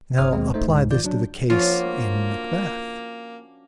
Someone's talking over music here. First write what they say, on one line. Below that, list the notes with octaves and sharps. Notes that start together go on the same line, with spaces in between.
Now apply this to the case in Macbeth.
G1 C5 C#5 D#6 F6
D#2 B2 G#3 C4
A3 D#4 C5
C#2 G#2
D#3 F4 D5 G6
F#3 D4
F3 A#3 C#4 D4 F4 F#4